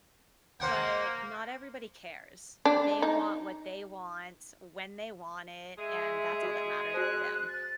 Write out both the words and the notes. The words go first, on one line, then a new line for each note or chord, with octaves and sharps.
but not everybody cares. They want what they want, when they want it, and that's all that matters to them,
A#3 C5 F#5 G5
D4
D#4
G#3 G#4 E5
F#4
F#4 C5 F#6
A6